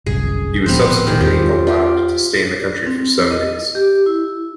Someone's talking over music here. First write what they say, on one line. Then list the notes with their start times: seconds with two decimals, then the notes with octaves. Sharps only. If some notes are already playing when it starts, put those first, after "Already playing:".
He was subsequently allowed to stay in the country for seven days.
0.06 G1 C2 F#2 G#4
0.66 D1 C#2 F3 B3 C4 C5
1.07 D#3 C4 G#4
1.21 E2 C4 F4 G4
1.67 F4 G4
2.87 C4
3.31 D#5
3.75 G4
4.06 E4